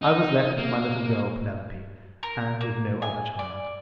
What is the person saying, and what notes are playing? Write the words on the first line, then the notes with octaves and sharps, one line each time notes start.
I was left with my little girl Penelope, and with no other child.
D#4
A#3
A#4
A#3
G#5
D5